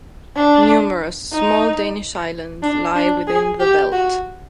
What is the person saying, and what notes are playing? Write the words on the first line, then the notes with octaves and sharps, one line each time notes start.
Numerous small Danish islands lie within the belt.
D4
D#4
D4
D4
G#4
G4
F#4